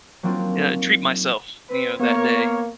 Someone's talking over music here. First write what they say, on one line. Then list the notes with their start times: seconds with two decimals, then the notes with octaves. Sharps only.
And I treat myself, you know, that day.
0.23 F#3 A#3 C4 D4 D#4 F4
1.69 C4 B4
2.00 A#3 B3 A#4 C#5